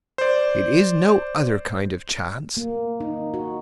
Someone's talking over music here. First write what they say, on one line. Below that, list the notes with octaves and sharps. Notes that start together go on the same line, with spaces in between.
It is no other kind of chance.
C5 D5
A#3
D#4
F#4